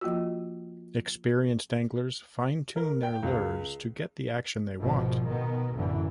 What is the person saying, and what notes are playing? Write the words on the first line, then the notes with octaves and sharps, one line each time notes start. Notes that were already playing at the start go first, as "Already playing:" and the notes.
Experienced anglers fine tune their lures to get the action they want.
F3 A#3 F4 F#4
A#4
G5
C#2
G#1 B2 F3
B2 D#3 B3
A1 F#2 D3 E3